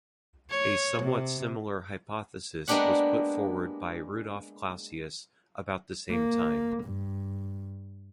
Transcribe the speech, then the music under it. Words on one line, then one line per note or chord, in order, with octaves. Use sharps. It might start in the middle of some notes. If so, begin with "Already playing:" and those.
A somewhat similar hypothesis was put forward by Rudolf Clausius about the same time.
C#5
C3
G#3 A#3 B3 D4 G4 F#5
A#3
G2